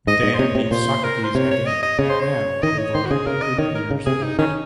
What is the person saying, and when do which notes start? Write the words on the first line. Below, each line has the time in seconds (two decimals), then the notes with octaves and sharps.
Dan meets Socrates again, now over hundred years old.
0.07 G#2 D#5
0.23 G#2
0.34 C5
0.39 C3 C#5
0.55 C3
0.71 A#2 C5
1.04 A#4
1.24 C5
1.35 C3 C#5
1.51 C#5
1.66 D#5
1.83 D#5
1.99 C#3 C#5
2.10 C5
2.20 C#5
2.63 D#3 D#5
2.78 C#5
2.94 D#3 C5
3.06 F#4
3.11 C#3 G#4
3.27 C#3 A#4
3.42 D#5
3.59 D#3 C#5
3.75 A#4
3.91 C#3
4.06 C3 G#4
4.23 D#4
4.38 D#3 C#4